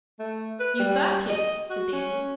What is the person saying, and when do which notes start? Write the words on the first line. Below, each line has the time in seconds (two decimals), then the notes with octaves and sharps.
"You've got to," said Davy.
0.19 A3
0.60 B4
0.79 G3
1.29 D#5
1.70 F#4
1.92 C#4